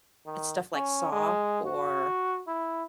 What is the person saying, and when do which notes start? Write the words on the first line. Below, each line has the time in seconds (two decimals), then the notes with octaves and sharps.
it's stuff like Saw or
0.26 D#3
0.74 C#4
1.12 G#3
1.66 F#4
2.47 E4